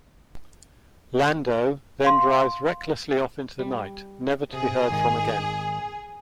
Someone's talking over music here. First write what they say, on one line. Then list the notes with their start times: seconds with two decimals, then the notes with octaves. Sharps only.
"Lando" then drives recklessly off into the night, never to be heard from again.
2.04 F5 C6
3.59 G3
4.53 C3 G#4
4.90 G#1 D#3